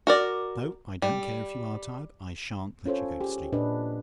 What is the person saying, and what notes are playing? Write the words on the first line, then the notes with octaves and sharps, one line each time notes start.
No; I don't care if you are tired, I SHAN'T let you go to sleep.
F#4 A#4 D5
G3
C#4 F4 A4 C5 C#5
G4 G#4
A#2 D4 B4 D#5